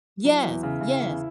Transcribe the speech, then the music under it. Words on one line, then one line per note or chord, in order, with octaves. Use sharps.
Yes. Yes.
F#3 E4
E2
C#3
C#3
E2